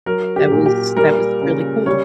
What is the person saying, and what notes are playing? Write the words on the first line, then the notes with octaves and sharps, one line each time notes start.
that was that was really cool.
F#3 A#4
G4
A#2
G4
G3 A#4
C#3
G3 C#5